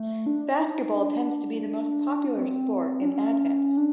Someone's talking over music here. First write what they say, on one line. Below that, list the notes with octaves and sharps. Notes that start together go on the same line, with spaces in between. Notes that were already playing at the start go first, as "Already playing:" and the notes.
Basketball tends to be the most popular sport in Advance.
Already playing: A3
D4
D#4
D4
C4
D4
C#4
D4